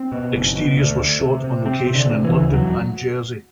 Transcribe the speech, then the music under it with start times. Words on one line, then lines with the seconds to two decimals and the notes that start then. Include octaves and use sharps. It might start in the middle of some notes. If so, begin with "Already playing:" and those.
Exteriors were shot on location in London and Jersey.
Already playing: C4
0.12 B2
0.34 F#1
0.55 B2
0.78 D2
1.00 D2
1.21 C3
1.44 C3
1.65 C3 C4
1.87 C3
1.95 D3
2.09 C3
2.24 E3
2.31 D2
2.53 E1 F#3